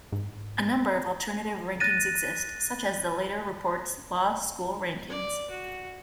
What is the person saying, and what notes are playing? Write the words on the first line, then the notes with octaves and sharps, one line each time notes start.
A number of alternative rankings exist, such as the Leiter Reports Law School Rankings.
G#2
F#6 A6 A#6 D#7
D5
F#4